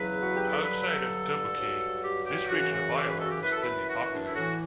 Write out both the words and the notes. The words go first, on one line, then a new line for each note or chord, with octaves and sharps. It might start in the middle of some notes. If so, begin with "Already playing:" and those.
Outside of Dubuque, this region of Iowa is thinly populated.
Already playing: E2 C#3 F#3 B4
F#4
G4
A4
G2 D3 F#3 B4
A4
G2 F#3
G4
G4
F#2 C#3 E3 F#4
F#4
G4
B4
A4
F#4
G4
F#2 E3 B4
A4
B4
F#4
D4
E4
A2 E3 F#4